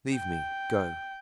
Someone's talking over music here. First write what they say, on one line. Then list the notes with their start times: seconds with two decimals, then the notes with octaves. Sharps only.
"Leave me--go!"
0.14 G5